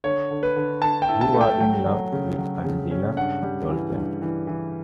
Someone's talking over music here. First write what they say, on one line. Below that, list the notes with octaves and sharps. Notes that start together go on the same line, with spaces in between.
You're in love with Angela yourself.
D3 C#5
D3
B4
D3
D3 A5
G5
E4
A5
A3
G5
F#3 G5
F#3
C#3
F#3
C#3
C#4
G2 F#5
G3
E3
G2
E3
E3